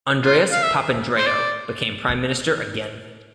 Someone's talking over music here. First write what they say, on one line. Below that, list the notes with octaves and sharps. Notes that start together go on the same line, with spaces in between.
Andreas Papandreou became Prime Minister again.
F4
F5
E5
C5
D5